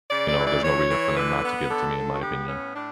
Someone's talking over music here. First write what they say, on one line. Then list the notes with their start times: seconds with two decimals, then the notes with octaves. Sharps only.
you know, there's no reason for them not to give it to me in my opinion.
0.09 C#3 D5
0.27 D5
0.36 E3
0.45 D5
0.63 E3 C#5
0.88 E3
1.15 D3 B4
1.43 B3
1.69 D3 A4
1.96 D3
2.13 F#4
2.21 B3 G4
2.47 A2 C#4
2.74 A2 D4